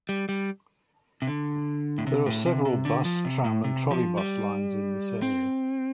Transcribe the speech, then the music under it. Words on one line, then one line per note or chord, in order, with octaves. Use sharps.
There are several bus, tram and trolleybus lines in this area.
G3
G3
C3
D3
A2
C3
A2
C3
C3
D3
F3
C3
A2
C3
F3
G3
C4